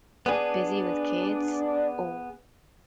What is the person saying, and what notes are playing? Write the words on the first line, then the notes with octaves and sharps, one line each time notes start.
busy with kids or
B3 D4 G#4